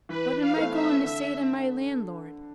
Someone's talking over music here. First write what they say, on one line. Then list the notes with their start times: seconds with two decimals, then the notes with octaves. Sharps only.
What am I goin' to say to my landlord?
0.09 E3 B4
0.41 F5
0.56 A3 C4 E4 A4
0.72 E5
1.04 D3 E5